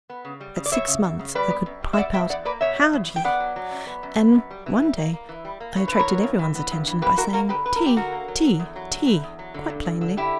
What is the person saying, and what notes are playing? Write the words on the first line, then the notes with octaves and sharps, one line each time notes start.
At six months I could pipe out "How d'ye," and one day I attracted every one's attention by saying "Tea, tea, tea" quite plainly.
B3
C#3
G3
C#3
D5
G3 C#5 E5
C#3
F#2
C#3
G3 B4 D5
B3
F#2
G3
E5
B2 D5 F#5
B2 E5 G5
E2 D5 F#5
A#3 B4 D5
B2 C#5 E5
G3
E2
B2
G5
B3 D5 F#5
F#3
F#3
F#2
B3
F#2
B3
F#2
G3
E3
G3
A#3
A#3
E3
G3
A#3
G2 C#5
E3 B4
A#4 C#5
B3
G2
E3
B3
G2
E3
A#3 G4 B4
F#2 F#4 A#4
A#3 F#4 A#4
D3 G4 B4
D3 B4
A#4
F#2 G4
D3 F#4 A#4
A#3
F#3
D3
E2
F#3
D3
E2
E2
F#3
D3
G2
G2
D3
D3 E4 G4